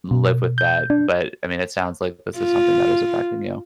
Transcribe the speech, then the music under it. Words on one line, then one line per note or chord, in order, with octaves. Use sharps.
live with that, but, I mean, it sounds like this is something that is affecting you.
B2
G6
D4
F4